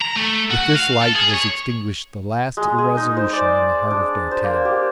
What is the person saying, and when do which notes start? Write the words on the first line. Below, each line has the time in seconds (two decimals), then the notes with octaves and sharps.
With this light was extinguished the last irresolution in the heart of d'Artagnan.
0.02 A#5
0.17 A3
0.51 F#4
0.76 F5
1.01 A4
1.15 G#4
1.34 C#5
2.57 G#3
2.78 G#4
2.97 D#4
3.17 C5
3.33 D5
3.91 D4
4.31 C5
4.44 A#3
4.65 G4